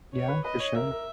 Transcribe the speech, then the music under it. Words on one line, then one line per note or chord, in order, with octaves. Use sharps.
Yeah, for sure.
C#5
B4
B4 D#5
C#5
A#4 E5
A#4